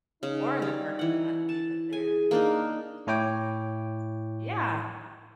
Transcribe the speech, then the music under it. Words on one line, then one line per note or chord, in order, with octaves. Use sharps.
or in the parking lot, and leave it there, and then take that across. Yeah.
C#3 D#4
G3
E3 F#5
A5
G#4 G#5
A#3 D4 D#4
A2 E4 C#5 G5 D6